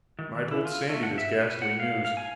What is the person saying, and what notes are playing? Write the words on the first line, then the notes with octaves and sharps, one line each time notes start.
I told Sandy this ghastly news.
D#3
D#3
E4
F4
A3
F#5
E5
B4
F#5
F5
F5
G#5